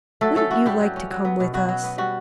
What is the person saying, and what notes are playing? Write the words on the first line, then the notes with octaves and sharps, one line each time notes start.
Wouldn't you like to come with us?'
F#3 A3 A4
A3 C#4 A4
E4 F#4
G2 G3 G4
F#3
C#4
F#3
B3
B2
B2 F#4
F#3
B3
G3 F#4